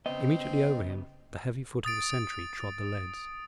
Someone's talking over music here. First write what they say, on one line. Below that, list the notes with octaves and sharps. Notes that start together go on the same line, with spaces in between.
Immediately over him the heavy foot of a sentry trod the leads.
C#3 B3 C4 D#5
D#6 A6 D7